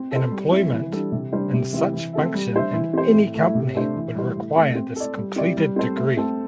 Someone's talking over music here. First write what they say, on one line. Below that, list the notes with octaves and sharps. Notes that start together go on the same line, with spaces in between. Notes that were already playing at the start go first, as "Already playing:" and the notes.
An employment in such function in any company would require this completed degree.
Already playing: C4
A4 C5
G3
C4 E4
E3
G3 D4 A4
C3
G3 D4 G4 C5
C3
E3 C4 G4 E5
E3
C4 A4 E5
G3
D4 C5 E5
E3
C4 G4 C5
A2
A3 E4
C3
A3 D4 C5
E3
G3 E4 C5
A2
A3 C4
C4
A4 D5
G3
C4 E4 G4 D5
G3
C4 A4 C5
A3
C4 A4